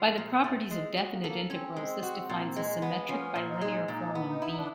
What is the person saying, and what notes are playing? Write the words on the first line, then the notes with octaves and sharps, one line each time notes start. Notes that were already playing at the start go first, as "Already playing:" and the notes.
By the properties of definite integrals, this defines a symmetric bilinear form on "V".
Already playing: F3
A#2
C4
A3 B3
C4
G#3 C4
F#4
A#3
B3
A#3 A4
C4 C#4
G#3
F#4
A#2
G#3
B3
F3 C#4
A#2
D#4
G#3
A#2 D#4
B3
D#4
E4
D4